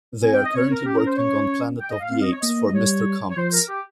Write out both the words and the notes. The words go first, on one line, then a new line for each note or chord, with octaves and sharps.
They are currently working on "Planet of the Apes" for Mr.Comics.
C4 G#5
G5
D#5
C4 C#5
A#4
C#4 G4
A#4
C5
C#5
G5
D#5
F5
C4 F5
D#5
C#5
A#3 D#5
D#5
G3 C#5
C#5
F3 C5
A#4
G4